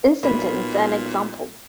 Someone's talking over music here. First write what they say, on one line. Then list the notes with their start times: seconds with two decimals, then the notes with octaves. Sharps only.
Instantons are an example.
0.23 B1 A#2 A#4 B4